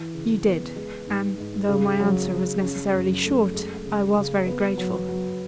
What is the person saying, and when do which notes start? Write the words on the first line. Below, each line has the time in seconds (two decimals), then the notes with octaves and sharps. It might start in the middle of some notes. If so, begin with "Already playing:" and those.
"You did;--and though my answer was necessarily short, I was very grateful."
Already playing: E3
0.14 C#3
0.45 B3
0.76 G#3
1.07 G#2
1.38 G#2
1.68 C#3
2.00 F#3
2.30 C#3
2.62 C#4
2.92 F#2
3.24 A3
3.54 G#3
3.85 C#3
4.16 C#3
4.47 B3
4.78 F#3
5.09 F#3